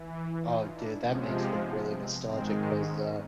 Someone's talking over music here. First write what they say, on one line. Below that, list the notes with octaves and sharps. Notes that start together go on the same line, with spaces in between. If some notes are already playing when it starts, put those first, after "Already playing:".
Oh, dude, that makes me really nostalgic 'cause, uh,
Already playing: E3
D#4 F4
D4 E4
C3 F3 G#3 B3 C#4
B3
C4
G#2 D#3 G#3 C4
B3 C#4